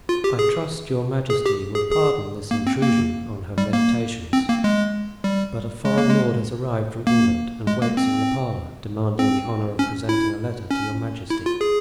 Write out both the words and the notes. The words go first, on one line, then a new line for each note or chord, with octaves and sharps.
"I trust your majesty will pardon this intrusion on her meditations, but a foreign lord has arrived from England and waits in the parlor, demanding the honor of presenting a letter to your majesty."
F4
G4
G#4
G#4
G4
G#4
G#4
A#3
C4
A#3
G3
A#3
C4
A#3
G#3
G3
G#3
A#3
G#3
A#3
G#3
A#3
C4
C4
C#4
E4
C#4
E4
F4
G#4